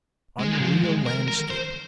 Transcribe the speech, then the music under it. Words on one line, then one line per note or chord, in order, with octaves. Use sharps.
Unreal landscape!
G#3
F3
G#3
A#4
A#4
C5